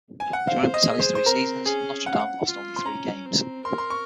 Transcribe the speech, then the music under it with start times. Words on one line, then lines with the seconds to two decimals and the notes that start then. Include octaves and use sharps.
During Bertelli's three seasons, Notre Dame lost only three games.
0.20 G#5
0.33 F#5
0.47 C5 F5
0.74 D#5
0.86 G#4
1.00 C5
1.15 C5
1.26 C4 A#4
1.66 C#4 G#4
2.06 F#5
2.13 F5
2.20 F#5
2.46 F4
2.76 C6
2.85 C#4 A#5
3.25 C4
3.64 A#4 C6
3.78 C6
3.90 C#6